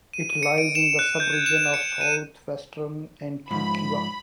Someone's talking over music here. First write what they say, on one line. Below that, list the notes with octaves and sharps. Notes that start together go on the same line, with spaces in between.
It lies in the subregion of Southwestern Antioquia.
D#7
D#7
C#7
D7
E7
F#6
G6
G#6
E7
C#7
D#7
G#2 F3 B5